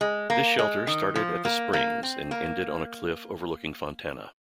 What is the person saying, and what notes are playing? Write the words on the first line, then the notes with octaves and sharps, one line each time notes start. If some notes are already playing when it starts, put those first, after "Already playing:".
This shelter started at the Springs and ended on a cliff overlooking Fontana.
G#3
A#3
G#3
D#3
F3
A#3
A#3
C4
A#3